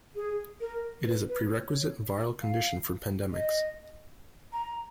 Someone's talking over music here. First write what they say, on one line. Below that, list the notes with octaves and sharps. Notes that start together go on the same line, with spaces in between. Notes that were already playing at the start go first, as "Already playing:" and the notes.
It is a prerequisite viral condition for pandemics.
G#4
A#4
B4
B4
C#5
F5
D#5
A#5